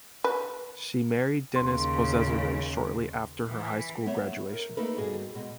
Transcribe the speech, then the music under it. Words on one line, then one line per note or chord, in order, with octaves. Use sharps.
She married Dennis Pozzessere shortly after her high school graduation.
B4
D#2 C#3 C6
E3
A3 B3 C#5 E5
A#4
A3 A#3 D#4 A4 B4
G2 B2 G#4
B2 G#3